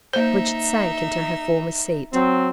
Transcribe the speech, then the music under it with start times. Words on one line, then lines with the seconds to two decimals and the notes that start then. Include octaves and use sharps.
Bridget sank into her former seat.
0.13 A#3 D#4 C5 E5
2.13 F#3 C4